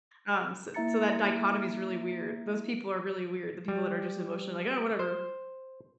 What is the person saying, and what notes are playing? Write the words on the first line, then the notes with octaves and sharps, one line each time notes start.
Um, so so that dichotomy is really weird. Those people are really weird. The people that are just emotionally, like, "Oh, whatever."
A#3 E4 E5 A#5 A6 C#7
G3
C5